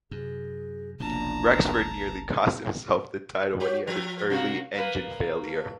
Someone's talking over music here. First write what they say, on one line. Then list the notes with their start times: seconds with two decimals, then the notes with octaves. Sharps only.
Rexford nearly cost himself the title, when he had an early engine failure.
0.11 F#2 C3 G#4
1.00 F#1 C2 B2 F3 D4 A5 A#5
3.60 F#4 G4 C#5
3.87 F3
4.30 C3 A#3 F#4
4.75 A#3 B4
5.44 A3